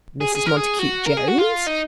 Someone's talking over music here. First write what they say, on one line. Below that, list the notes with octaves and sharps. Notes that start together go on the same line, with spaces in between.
"Mrs. Montacute Jones."
G#4
G#4
A#4
G#4
F#4
A#4
G#4
F#4
F4
D#4